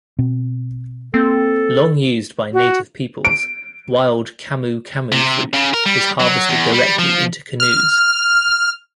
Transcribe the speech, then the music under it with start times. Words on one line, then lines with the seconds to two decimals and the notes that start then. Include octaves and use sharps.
Long used by native peoples, wild camu camu fruit is harvested directly into canoes.
0.19 B2 C4
1.14 A#3 C4 A4
2.53 F#4
3.25 D7
5.12 C3
5.54 C#3
5.74 A#4
5.86 G3
6.20 F#3
6.50 E2
6.73 G3
6.99 F3
7.60 F6